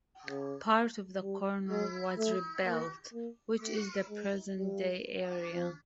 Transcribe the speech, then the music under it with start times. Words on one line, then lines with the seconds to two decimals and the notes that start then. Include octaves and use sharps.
Part of the corner was rebuilt, which is the present day area.
0.26 C#3
1.22 G3
1.70 G#3
2.18 A3
2.65 A#3
3.13 A#3
3.61 A3
4.09 G#3
4.57 G3
5.53 F3